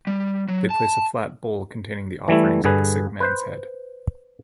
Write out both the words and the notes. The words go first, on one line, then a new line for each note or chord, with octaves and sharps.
They place a flat bowl containing the offerings at the sick man's head.
G3
F#3
A5
E3 G3 A3 E4
G2 D3 G#4 B4
B4 C5